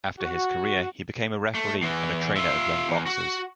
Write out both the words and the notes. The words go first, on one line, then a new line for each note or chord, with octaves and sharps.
After his career, he became a referee and a trainer of young boxers.
F#4
A3
E2 E3
F4 E5
E2
F#4